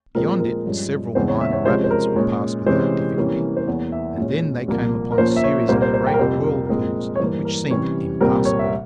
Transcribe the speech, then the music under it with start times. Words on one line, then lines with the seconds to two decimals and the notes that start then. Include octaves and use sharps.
Beyond it several minor rapids were passed without difficulty; and then they came upon a series of great whirlpools which seemed impassable.
0.15 A#2 F3 G#3 C4 A#4
0.40 A#4
0.65 G2 F3 G#3 C#4
1.15 E2 C#3 E3 G#3 C4 C5
1.28 C#5
1.41 E5
1.53 C#5
1.65 C3 F3 G#3 C#4 C5
1.84 C5
1.91 A#4
2.16 A#2 G#3 C#4 C#5
2.66 C3 E3 G#3 C#4 C5
3.17 C3 E3 G3 A#3 C#4
3.57 C5
3.67 E2 E3 A#3 C#5
3.92 E5
4.18 A#2 G#3 C#4
4.68 C2 A#2 F3 A#3
5.12 A#4
5.18 A#2 F3 A#3 C#4 C5
5.36 E5
5.44 C#5
5.68 C2 A#2 G3 A#3 C5
5.82 C5
5.94 C5
6.07 G5
6.14 A#4
6.19 F2 C3 G3 C4 C5
6.44 A#4
6.66 A#2 F3 G#3 C4 A#4
7.16 C#5
7.19 G2 E3 A#3 C5
7.45 A#4
7.70 C3 E3 G3 C#4 C#5
8.21 C2 A#2 G3 C4 A#4
8.45 C#5
8.59 E5